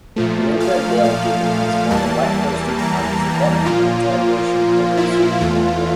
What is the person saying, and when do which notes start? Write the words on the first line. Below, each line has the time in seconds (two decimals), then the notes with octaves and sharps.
Linda Dale Gibbons, born in Whitehorse, Yukon, is a veteran anti-abortion protester in Canada.
0.16 A#2 F3 A3
0.60 F5
1.03 F5
1.90 E2 E3 G3 A#3 A5
2.35 A5
2.79 A#5
3.65 A#2 F3 A#3 F4
4.97 E4
5.40 E2 E3 A3 F4